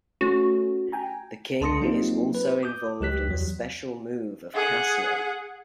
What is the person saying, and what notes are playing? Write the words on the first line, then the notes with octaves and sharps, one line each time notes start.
The king is also involved in the special move of castling.
A3 C#4 F#4
G5 G#5 A#5
C#2 A5 C6 D#6 A#6 C#7
F#3 A#3 C4 D#4 F4 G4
B4
D6 D#6 G6
C#2 F#3 G4 F#6 B6
E2 F#3
G#4 F#5